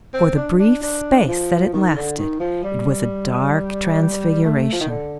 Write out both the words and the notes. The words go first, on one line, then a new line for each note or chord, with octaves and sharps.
For the brief space that it lasted, it was a dark transfiguration.
C4
D4
D4
D4
F3
D#3
D3
D#3
F3
G3
A3
F3
D#3
D3